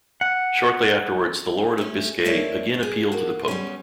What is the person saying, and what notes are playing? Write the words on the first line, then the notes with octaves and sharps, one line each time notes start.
Shortly afterwards, the Lord of Biscay again appealed to the Pope.
F#5
A3 C#4
F2 A#3 E4 C#5 D5 A5
G#4
A#3 F#4
G3 B3 C#4